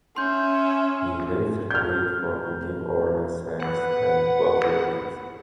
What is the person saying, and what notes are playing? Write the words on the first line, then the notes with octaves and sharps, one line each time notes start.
He later played for the New Orleans Saints and Buffalo Bills.
C#4 E5 C6 G6
F6 G6
B4 F#5